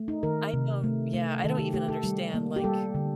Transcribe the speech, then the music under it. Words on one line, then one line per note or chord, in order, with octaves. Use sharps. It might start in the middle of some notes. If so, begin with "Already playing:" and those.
I don't yeah, I don't even understand, like
Already playing: A3
D#4
D#3 A#4
C3
A3
A3
D#3 A4
G4
A3 G4
A4
G3
A#3
G4
G3 A4
D3